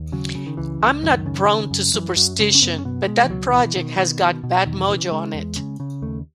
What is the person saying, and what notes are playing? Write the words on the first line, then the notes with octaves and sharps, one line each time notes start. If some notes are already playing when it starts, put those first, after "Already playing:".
I'm not prone to superstition, but that project has got bad mojo on it.
Already playing: D#2
C#3 F#3
C#3
D#3
C#2 E3
C#2
F#2 D#3
C#3
C#3
F#2
F#2 E3
F#2 F#3
C#3 G#3
C#4
F#2 B3
C#4
B2 B3
B2 G#3
E3
C#2 F#3
D#3
B2 E3
E3
B2 D#3
B2
B2
B2
E2 D#3
C#3 E3
F#3
C#3 G#3
E2
C#3
C#3
D#2 A3